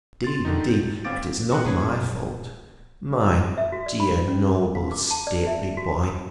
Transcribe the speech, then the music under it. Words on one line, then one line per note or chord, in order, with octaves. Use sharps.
Indeed, indeed, it is not my fault! My dear, noble, stately boy!
C6 A6
D3 D#3 D#4
G6
G1 C4 F5 D6 A6 D7
B3 F#4 C5
G#1 A#3 C#4 G#4 B4 C#5
C2 F#2 B2
A#1
E5
F#4
D5
B5
C#4
F5
D6
A5
D5
E5
F#4
D#6